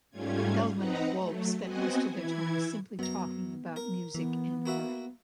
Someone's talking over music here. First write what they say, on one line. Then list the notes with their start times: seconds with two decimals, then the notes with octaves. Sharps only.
Feldman and Wolpe spent most of their time simply talking about music and art.
0.10 G#2 G3 A3 C#4 F4 G#6
0.75 C4 D#4 B4 D#5 F#5 A#5
1.18 F#3 A3
1.62 B3 C4 F#4 D#5 F#5 G#5
2.07 E3 E4 G#6
2.99 F#2 B3 A#5
3.76 A#4
4.15 E3 B3
4.66 A#3 F#4 E5